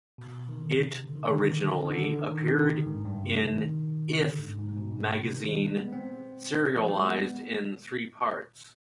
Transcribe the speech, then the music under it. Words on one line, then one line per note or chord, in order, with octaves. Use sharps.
It originally appeared in "If" magazine, serialized in three parts.
B2
D#3
D3
C3
D3
D#3
D3
D#3
D3
D#3
D3
D#3
D3
D#3
C3
D3
G#2
G2
C3
D#3
C3
D3
G#2
G#2
G#2
B2
G#2
B2
C3
D#3
G3
G#3
B3
C4
F3
G3
G#3
B3